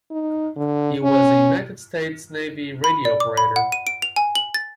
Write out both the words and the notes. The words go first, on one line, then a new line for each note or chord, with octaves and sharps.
He was a United States Navy radio operator.
D#4
D3
C#4
B5
D5
D6
B5
F#5
D#7
D7
F7
G#5
F#7
A6